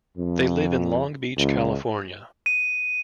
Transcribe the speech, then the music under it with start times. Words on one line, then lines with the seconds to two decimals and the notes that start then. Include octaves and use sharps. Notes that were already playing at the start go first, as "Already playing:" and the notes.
They live in Long Beach, California.
0.17 F2
1.37 C#2
2.46 D#7